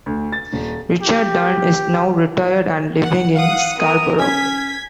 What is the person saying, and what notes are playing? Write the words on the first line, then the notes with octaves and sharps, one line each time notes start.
Richard Dunn is now retired and living in Scarborough.
D2
A6
D#1
G4
F#5
F5 F#5 D#6
B3 A#4 D#6
C#4 G#6 B6